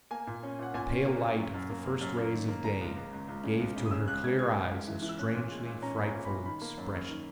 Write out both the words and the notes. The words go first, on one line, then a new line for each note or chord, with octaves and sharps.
The pale light of the first rays of day gave to her clear eyes a strangely frightful expression.
A#3 G#5
A#2
C#4
A#2 F#5
A#2 G#5
C#4
A#3
A#2
F#2
F#2
A#3
A#3
F#2
A#3
D#3
A#3
C#3 A#5
C#2
C#2
C#2
C#2
C#3
C#2
C#3
D#6
C#3 E6
C#2 F#6
C#3 G#6
C#3 G#6
C#2
C#2
E3
E3
E6
C#4 F#6
A#2
G#3
A#2
C#4 A#5
C#4 B5
A#5
A#2
A#2 B5
D#3 B5
A#3
F#2
F#2
D#3